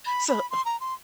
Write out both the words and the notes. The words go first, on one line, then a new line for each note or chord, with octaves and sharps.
So, oh
B5
B5
C6
A#5
C6